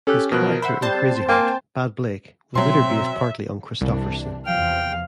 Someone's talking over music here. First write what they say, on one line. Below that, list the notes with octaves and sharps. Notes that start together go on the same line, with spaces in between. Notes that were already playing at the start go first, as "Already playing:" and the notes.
His character in "Crazy Heart", Bad Blake, was later based partly on Kristofferson.
C#4 G4 A4 F#6
B2 F3 A#4 F#6
C5 E5 F#5 B5
G3 C4 C5 A5
A#3 G5 G#5 C6
B2 F#3 C4 E5 C6
C2 C3 E3 D4
E2 C3 F3 F5 G5